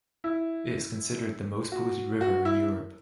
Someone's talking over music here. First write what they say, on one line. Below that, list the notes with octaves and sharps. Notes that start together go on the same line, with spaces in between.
It is considered the most polluted river in Europe.
E4
F#4
F#4
E4